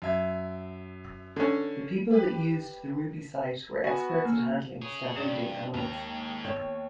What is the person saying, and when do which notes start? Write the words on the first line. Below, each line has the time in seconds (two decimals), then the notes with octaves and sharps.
The people that used the Ruby site were experts at handling stampeding animals.
0.02 F#2 E5 G#6
1.36 D3 C#4
2.10 G4 B4
3.84 B3 F#4 G#5
4.25 A#3
4.82 G#4 C#5
5.16 G2 C#4 D4 G#4 D5
5.74 D#2 G#2 A#5
6.45 B3 C#5